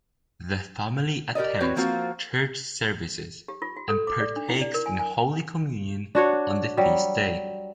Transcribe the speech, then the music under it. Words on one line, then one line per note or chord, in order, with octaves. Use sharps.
The family attends church services and partakes in Holy Communion on the feast day.
G4 A#4 D5 D#5
C4 E4 F#4 B4 C#5
F3 A#3 C4 F4 F#4
G4
F4
F#4
A4
D6
D5
D4
E4
D5
A#4
G#5
G#5
D4 F#4 C#5
F#3 G3